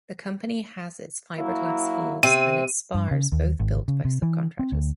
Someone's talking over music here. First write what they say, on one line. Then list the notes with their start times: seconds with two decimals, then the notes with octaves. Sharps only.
The company has its fiberglass hulls and its spars both built by subcontractors.
1.38 F#3 A#3 E4
2.23 C3 C4 D#7
2.94 G2
3.11 C#3
3.32 D#2
3.60 G#1
3.88 C#3
4.05 C3
4.22 E3
4.59 C4
4.72 D2